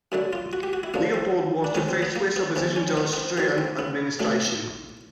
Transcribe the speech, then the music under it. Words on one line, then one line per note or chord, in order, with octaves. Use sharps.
Leopold was to face Swiss opposition to Austrian administration.
F#2 D3 F#3 E4
F4
F#4
G4
F#4
E4
F#2 D3 F3 A#3
C4
D4
G#2 D#3 G#3 C#4
C4
B3
A#3
B3
E2 C3 E3 C4
C#4
C4
B3
B3
C4
F#2 D#3 F#3 C4
C4
B3
A2 F#3 A3